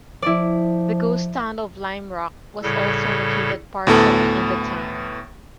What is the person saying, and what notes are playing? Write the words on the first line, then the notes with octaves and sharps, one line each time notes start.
The ghost town of Lime Rock was also located partially in the town.
F3 E4 D5
A2 C#3 G3 A4
D2 A2 B3 A4